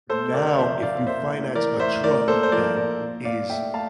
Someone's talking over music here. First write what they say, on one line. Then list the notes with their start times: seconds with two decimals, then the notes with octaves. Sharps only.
Now, if you finance a truck that is
0.09 A3 A4 C5
0.34 C3 A#4 D5
0.58 F3 C5 E5
0.82 C3 D5 F5
0.95 F5
1.07 A#3 C5 E5
1.31 A2
1.55 E3 A#4 D5
1.79 A2 C5 E5
2.04 A3 A#4 D5
2.28 A#2 A4 C5
2.43 C5
2.52 F3 A#4 D5
2.76 A#2 A#4 D5
3.01 A#2
3.25 A#2 D5 F5
3.49 A3 E5 G5
3.74 A3 F5 A5